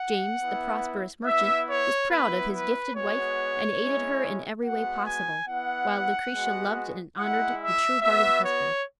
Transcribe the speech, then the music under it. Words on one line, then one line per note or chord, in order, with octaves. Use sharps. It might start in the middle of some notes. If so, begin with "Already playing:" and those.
James, the prosperous merchant, was proud of his gifted wife, and aided her in every way possible; while Lucretia loved and honored the true-hearted husband.
Already playing: F#5
B3 E4
B3 E4 E5
C#5
B3 E4 B4
B4
G#3 B3 F#4 C#5
G#3 C#4 E4
G#3 B3 F#4 F#5
G#5
B3 E4 F#5
G#3 B3 F#4
G#3 E4 F#5
E5
B3 F#4 E5
C#5